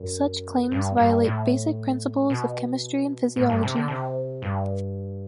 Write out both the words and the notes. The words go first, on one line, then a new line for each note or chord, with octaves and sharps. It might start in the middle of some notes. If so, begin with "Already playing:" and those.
Such claims violate basic principles of chemistry and physiology.
Already playing: F#2
G2
G2
A2
B2
A2
G2
C3
D3
C3
G2